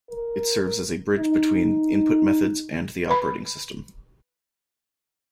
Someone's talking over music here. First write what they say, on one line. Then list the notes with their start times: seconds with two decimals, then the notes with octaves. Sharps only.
It serves as a bridge between input methods and the operating system.
0.10 A#4
1.18 D#4
3.09 B4 B5